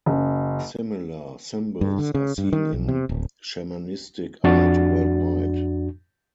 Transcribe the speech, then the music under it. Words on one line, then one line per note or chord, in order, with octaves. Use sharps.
Similar symbols are seen in shamanistic art worldwide.
F#1
G2
D3
C#3
G2
D#3
B1
C3
D1
F2 D4 F#4 A6